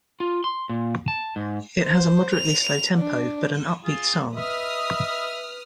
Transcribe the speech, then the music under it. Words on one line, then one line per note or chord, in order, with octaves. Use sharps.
It has a moderately slow tempo but an up-beat song.
F4
C6
A#2
A5
G#2
C5
F7
D4
F4 G#4
B4 D#5 E5 D#6 F6